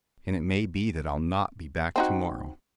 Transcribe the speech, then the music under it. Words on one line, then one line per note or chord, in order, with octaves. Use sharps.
"And it may be that I'll not be back to-morrow."
C4 D#4 F#4